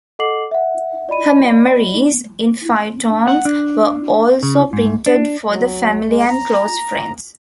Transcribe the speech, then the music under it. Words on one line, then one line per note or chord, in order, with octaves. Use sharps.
Her memoirs, in five tomes, were also printed for the family and close friends.
A4 D#5 F#5 D6 C7 F#7
E5 F#5
D5 D#5 B5 D#7
F#5
D4
C#3
G#2
D4
F#3
G#3
A#5